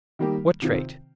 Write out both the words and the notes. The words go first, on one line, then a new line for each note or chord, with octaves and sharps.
What trait?
D#3 G3 A#3 G4
C3 D#3 C4 F4